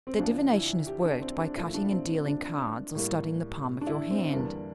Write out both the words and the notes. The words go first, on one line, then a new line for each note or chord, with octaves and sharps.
Their divination is worked by cutting and dealing cards or studying the palm of your hand.
C4
D2 D3 F3 D4
E4
G4
D4
C4
D4
A#2 F3 A3 E4
D4
C4
D4
A2 G3 A#3
D4
E4
C4
E2 D3 G3 A#3 D4